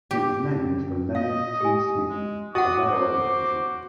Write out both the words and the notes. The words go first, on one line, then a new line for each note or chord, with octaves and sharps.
It was named for Leonard T. Smith, a railroad official.
G4
D#5 F5 D#6
G4 G#5
G#3
F#4 D#5 F#5 D6 D#6
C5